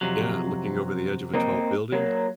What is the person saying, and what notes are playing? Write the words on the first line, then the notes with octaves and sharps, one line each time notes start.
Yeah, looking over the edge of a tall building.
F2 C3 F#3
A#3 C4 D#4
F#3 A#3